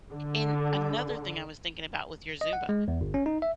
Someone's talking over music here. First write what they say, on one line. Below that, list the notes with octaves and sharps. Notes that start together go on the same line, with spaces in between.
and another thing I was thinking about with your Zumba:
D3
D#5
F#5
G#3
E2
G1
C#4
D#4
E5